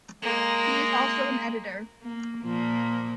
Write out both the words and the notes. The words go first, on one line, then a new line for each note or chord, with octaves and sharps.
He is also an editor.
G#3 A#3
A#3
A#2 F3 A#3